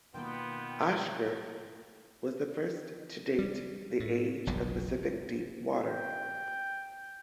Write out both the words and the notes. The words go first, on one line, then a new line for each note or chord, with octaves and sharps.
Oeschger was the first to date the "age" of Pacific deep water.
B2 D#3 A#3 B3 F4 G5
G3
A2
F#1 B1 G2
G5